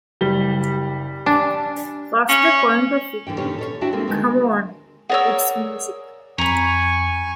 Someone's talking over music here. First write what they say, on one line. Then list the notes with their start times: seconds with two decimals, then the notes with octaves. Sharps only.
What's the point of it?' C'mon, it's music!
0.21 F#1 G3 G7
1.26 D4 G#5
2.29 C#4
3.27 D2 D3 E3 G5
3.38 A#2 D3 D#3 C#4 G4 C#5
3.58 A4 C#5
3.81 D4 E4 F#4 E5 G5 A5
3.92 G#3 A#3 C4 G4 A4
4.08 D2 D3 D#3 G#3 G#4
5.09 G#4 A#4 C#5 D5 F#5 E6
6.38 F2 G#5 A#5 B5 C#6